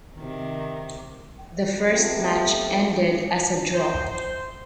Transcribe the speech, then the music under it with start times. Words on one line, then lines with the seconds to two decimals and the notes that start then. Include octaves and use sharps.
The first match ended as a draw.
0.15 C3 D#3
1.92 C3 F3 A3 B3 C4
3.75 C5